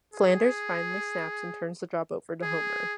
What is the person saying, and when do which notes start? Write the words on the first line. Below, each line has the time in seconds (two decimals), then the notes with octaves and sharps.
Flanders finally snaps and turns the job over to Homer.
0.14 G#4
2.42 G#4